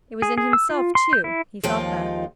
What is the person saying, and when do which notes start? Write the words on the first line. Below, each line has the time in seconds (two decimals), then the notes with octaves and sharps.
It was in himself too, he felt that.
0.22 G#4
0.38 G#4
0.53 E6
0.70 F4
0.95 C6
1.13 G6
1.24 E4
1.63 D#2 F3 G#3 D#4 F4 G5